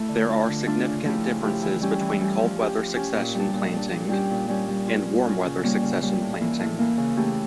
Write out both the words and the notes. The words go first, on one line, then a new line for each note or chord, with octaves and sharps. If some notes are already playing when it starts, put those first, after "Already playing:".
There are significant differences between cold weather succession planting and warm weather succession planting.
Already playing: A3 E4
D3
A3 D4 F4
D3
A3 D4 F4
C#3
F3 A3 E4 G4
C#3
F3 A3 E4 G4
E3
G3 C#4 G4
E3
G3 C#4 G4
F3
C#4 G4
F3
C#4 G4
A#2
G3 D4
A#2
G3 D4
A#2
G3 C#4 G4
A#2
G3 C#4 G4
G3
C#4 F4
G3
C#4 F4
C#3
G3 A#3 C#4
C#3
G3 A#3 C#4
A2
E3 A#3
A2
E3 A#3
C#3
E3 A3 C#4 G4